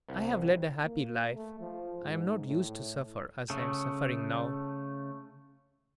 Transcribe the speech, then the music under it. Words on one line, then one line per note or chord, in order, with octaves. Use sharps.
"I have led a happy life; I am not used to suffer as I am suffering now."
C2
A#3
A3
F3
G#2
A2
C#3 A3